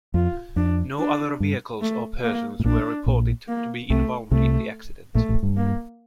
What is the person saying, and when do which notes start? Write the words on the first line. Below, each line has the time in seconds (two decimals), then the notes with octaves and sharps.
No other vehicles or persons were reported to be involved in the accident.
0.14 F2 F4
0.56 F2 D4
0.99 D4
1.40 G2
1.81 A3
2.24 A#3
2.60 A2
2.64 A#1 A#2 D4
3.06 A#1 A#2
3.48 A#3
3.90 C2 C3 A3
4.31 C2 C3 A3
5.15 A#1 A#2 A3
5.29 A1 A2
5.43 G2
5.57 A#3